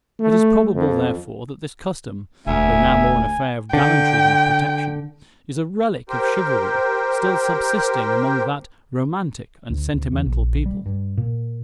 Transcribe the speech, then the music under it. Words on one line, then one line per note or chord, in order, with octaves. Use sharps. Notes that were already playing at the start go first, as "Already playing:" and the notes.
It is probable, therefore, that this custom, though now more an affair of gallantry than of protection, is a relic of chivalry still subsisting among that romantic and sentimental people.
A3
F2
E1 D2 E5 G#5
D3 G5
G4 A#4 C5 G5
D2
D2
E2
A#1
G3
G2
A#2